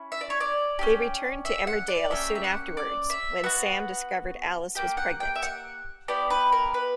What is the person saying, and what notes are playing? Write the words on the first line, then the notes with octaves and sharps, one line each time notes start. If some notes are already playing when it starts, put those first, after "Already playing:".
They returned to Emmerdale soon afterwards, when Sam discovered Alice was pregnant.
Already playing: C#4 E4
E5
D5
C#5
D5
C#4 E4 G4
E5
F#5
D5
A#3 C#4 G4 E5
E5
F#5
D5
E5
B3 F#4 F#5
A#3 C#4 G4 G5
F#5
G5
E5
F#5
B3 E4 G4 D5
B4
A#4
B4